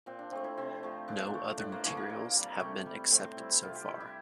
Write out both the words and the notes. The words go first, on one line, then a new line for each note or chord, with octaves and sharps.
No other materials have been accepted so far.
A#2 C4
D4
F3 A3 C4
E4
C3 C4
F3 A3
A#2 D4
A3
A2 D4
A#3
E3 A3 A#3
A#3
A#2
G3
C3 A3
G3
A2 C4
G3 E4
C3 F4
G4
G3 E4
E4